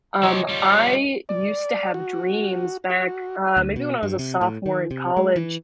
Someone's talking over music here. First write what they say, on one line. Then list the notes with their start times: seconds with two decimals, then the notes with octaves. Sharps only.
Um, I used to have dreams back, uh, maybe when I was a sophomore in college
0.23 F3 G4 C#5 D#5
0.49 G3 F4
1.29 D5
1.94 F#4
2.90 F#4
3.57 D2
3.76 B2
4.03 G2
4.19 C3
4.41 A2
4.66 D#3
4.91 C3
5.17 G#3
5.36 E3